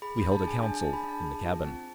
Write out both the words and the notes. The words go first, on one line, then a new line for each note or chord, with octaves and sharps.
We held a council in the cabin.
G#4 B5
D4 B5
A5
G#4
G#5
D4 G#5
A5
G#4
B5
D4 A5
G#4
F4
C4